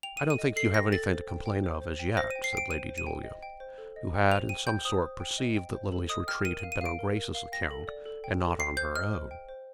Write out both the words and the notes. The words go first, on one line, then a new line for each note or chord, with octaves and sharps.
"I don't think you have anything to complain of as yet," said Lady Julia, who had in some sort perceived that Lily's retreat had been on Grace's account, and not on her own.
G5 F7
A4 D#7
D#7
D#5
A4 C7
G5 A#6
A4 A6
C5
G5
G5
C5
C5
G5
C5 A#6
G5 D#7
C7
G5 D7
C5 D#7
C5
D#7
G5
D#5
G5
C5
A4
D#5
G5
C5 F7
G5 D#7
G5 G6
C5 D#6
C5
G5
D#5
G5
C5
A4
D#5 D#6
G5 F6
A#4 D#7
D#7
F5
D#7
F5 D7
A#4
A#4
F5
G5 A#6
A4
D5
A4
G5
A4
G5 C7
C5 G6
D#5 F6
C5
G5
C5